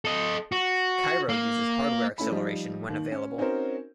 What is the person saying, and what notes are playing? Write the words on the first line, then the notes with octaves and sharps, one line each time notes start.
Cairo uses hardware acceleration when available.
A4 D#5
F#4
A#3
A3 C#4 E4 B5
F3 G3 D#4
D#2 D#3
C#4
C4 C#4 D#4 F#4 A#4 C5